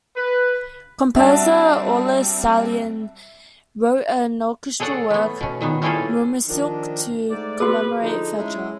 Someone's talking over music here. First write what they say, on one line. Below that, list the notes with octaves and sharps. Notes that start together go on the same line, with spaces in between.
Composer Aulis Sallinen wrote an orchestral work "Mauermusik" to commemorate Fechter.
B4
G3 C4 D4 F#4 E5 A5
G#4 A4 C#5 D5 F#5
A3 B3
B2 C#4
A#2 D#3 B3
G3 C#4 E4 F4 G#4 A4
D#3 F3 D4
G#2 A3 D5
B3 F#4 G#4 B4
D3 F3 D#4
G#3 C#4 E4